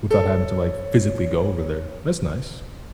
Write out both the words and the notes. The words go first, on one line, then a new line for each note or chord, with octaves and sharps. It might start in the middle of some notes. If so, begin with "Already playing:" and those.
without having to, like, physically go over there. That's nice.
A4 C#5